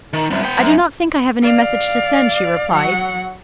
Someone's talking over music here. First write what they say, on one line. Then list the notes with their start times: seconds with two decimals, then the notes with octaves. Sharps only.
"I do not think I have any message to send," she replied.
0.13 D#3
0.30 C2 F#2
0.43 B3 G5
0.59 F#2
1.42 D5 F5
2.72 F#3 F#5